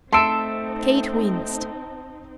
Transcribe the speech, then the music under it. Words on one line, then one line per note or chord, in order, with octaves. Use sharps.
Kate winced.
A3 C4 D#4 E5 A5 C6 C#7 D7